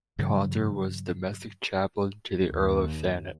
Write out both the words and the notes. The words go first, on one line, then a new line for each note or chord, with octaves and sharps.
Caunter was Domestic Chaplain to the Earl of Thanet.
G2 C#3 E3 F#3
D#2